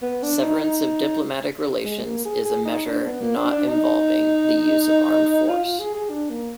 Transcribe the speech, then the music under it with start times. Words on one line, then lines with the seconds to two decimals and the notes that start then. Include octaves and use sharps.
Severance of diplomatic relations is a measure not involving the use of armed force.
0.02 B3
0.23 D4
0.42 D#4
0.63 D#4
1.84 G#3
2.05 A#3
2.25 G#4
2.45 G#4
2.65 D#4
2.85 D4
3.06 B3
3.21 A#3
3.37 D4
3.52 D4
3.67 D#4
5.49 F4
5.65 F4
5.79 G#4
5.95 G#4
6.10 D4
6.30 A#3